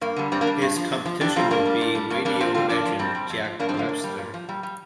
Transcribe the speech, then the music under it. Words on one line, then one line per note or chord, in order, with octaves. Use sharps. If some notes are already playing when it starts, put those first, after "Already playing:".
His competition would be radio veteran Jack Webster.
G2 A#3
D3 G3
G2 G3 C4
A#3 D4
G3
G2
F3
F2
F3
F2 D4 G4
C3 G3 C4 F4
G2 A#3 D4
G3
A#2
G3
G2 A#3
G3 A#3 D4
F2 C4 F4
D3 G3 C4 F4
F2 A#3 D4
F3
A#2 G3 C4
G3
F2
F3
G2 A#3 D4
G3 C4
D3 F3 A#3
A#2
G3
A#2
F3
A#2 G3
G3